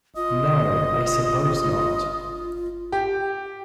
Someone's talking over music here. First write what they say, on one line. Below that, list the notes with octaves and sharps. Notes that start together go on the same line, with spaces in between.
No, I suppose not.
F4 D#5
G4